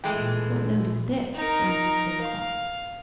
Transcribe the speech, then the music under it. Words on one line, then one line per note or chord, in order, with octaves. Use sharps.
"What note is this?" drawing his bow across.
E3 G#3 A3 G5
A#2
D#4 A#4
F5